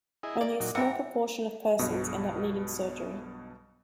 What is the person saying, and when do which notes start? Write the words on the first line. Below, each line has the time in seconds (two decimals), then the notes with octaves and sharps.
Only a small proportion of persons end up needing surgery.
0.23 E4 G#4 D#5
0.41 A#3 D5
0.60 A#2 F#3 D#4
0.75 C3 E3 B4 E5 F#5 G5 A#5 D6
1.79 B1 G2 B2 D#5